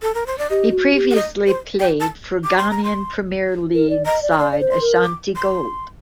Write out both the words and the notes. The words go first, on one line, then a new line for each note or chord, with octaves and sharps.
He previously played for Ghanaian Premier League side Ashanti Gold.
A4
A#4
C5
D5
G4 D#5
F#4
G4
F#5
D#5
C5
G5
A5
D6
C6
A#5
C6
A#4
D5
D#5 A#5
D5
A#5
D5 C6
D5
C5
C6
A#4
D6
C6